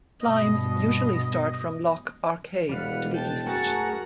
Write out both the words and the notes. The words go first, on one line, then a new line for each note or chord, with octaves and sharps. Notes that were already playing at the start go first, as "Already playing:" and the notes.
Climbs usually start from Loch Arkaig to the east.
G2 B2 D#5
E1 G3 B4 F5 F#5
G5 A5
F#2 A3 F#4 G#4 A#4 F#5 A5 A#5